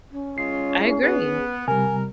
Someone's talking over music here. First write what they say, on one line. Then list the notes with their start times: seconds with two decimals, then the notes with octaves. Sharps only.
I agree.
0.11 C#4
0.38 G#3 F4 C7
0.79 E4 G#4
1.02 B3 G#4
1.68 C3 G3 A#4 G#5